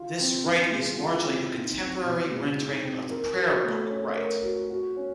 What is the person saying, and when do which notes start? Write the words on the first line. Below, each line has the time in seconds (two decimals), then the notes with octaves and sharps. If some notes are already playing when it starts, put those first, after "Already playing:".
This rite is largely a contemporary rendering of the Prayer Book rite.
Already playing: F4
0.19 C4
0.45 E3
0.71 G#3
0.98 F4
1.24 C4
1.52 D#4
1.78 C4
2.05 B2
2.31 G#3
2.58 D#4
2.83 C4
3.11 A#4
3.36 F#4
3.63 A3
3.90 C#4
4.17 A#4
4.43 F#4
4.70 F#4
4.96 C#4